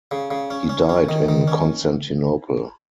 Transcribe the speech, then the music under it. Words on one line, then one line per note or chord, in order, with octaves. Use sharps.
He died in Constantinople.
C#3
C#3
C#4
C#4
C#4
D#3
D#3
C#4